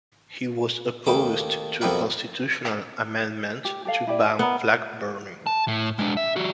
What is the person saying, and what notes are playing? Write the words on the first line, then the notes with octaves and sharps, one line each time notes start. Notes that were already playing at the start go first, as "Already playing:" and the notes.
He was opposed to a constitutional amendment to ban flag burning.
D#2 A3 G4 D6 D#6
F2 B2 B3 G4 A#4 E5
G4
G4 A4 F5
E4 G4 D5
B3 A#4 A#5
A5
A2
G#3 D4
E5
G3 F#4